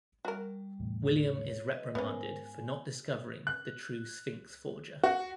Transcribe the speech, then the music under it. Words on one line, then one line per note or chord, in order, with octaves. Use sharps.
William is reprimanded for not discovering the true Sphinx forger.
G3 F#4 A#4
E2 A2 C3
C#5
B4 D#5
G#2 B3 C#4 A#4 C5 G#5
G#5
F#6
F#4 F#5